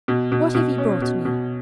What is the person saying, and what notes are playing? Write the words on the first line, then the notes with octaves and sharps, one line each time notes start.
What have you brought me?'
B2
B2
B2
C#4
B2
B2